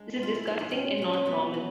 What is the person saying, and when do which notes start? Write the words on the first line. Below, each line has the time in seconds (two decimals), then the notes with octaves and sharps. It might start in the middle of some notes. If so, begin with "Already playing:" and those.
This is disgusting and not normal!
Already playing: G#3 D4
0.16 A#2
0.23 F4
0.35 E4
0.44 A#2 D#4
0.59 D4
0.70 A#2 C#4
0.98 A#2 C#4
1.13 C4
1.26 B2 B3
1.54 F#3